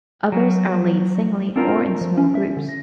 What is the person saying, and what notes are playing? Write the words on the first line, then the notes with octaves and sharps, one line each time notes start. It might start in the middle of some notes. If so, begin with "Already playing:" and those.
Others are laid singly or in small groups.
F#3
C4 D4 F4 A#4
F3
C#4
E5
D3
A#6